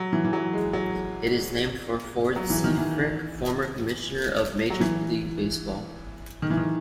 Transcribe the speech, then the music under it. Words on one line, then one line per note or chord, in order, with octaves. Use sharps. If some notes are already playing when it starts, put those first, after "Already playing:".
It is named for Ford C. Frick, former Commissioner of Major League Baseball.
Already playing: F#3
E3
E3
F#3
G#3
F#3
F#3
E3
D#3
E3
F#3
E3
D#3
E3
D#3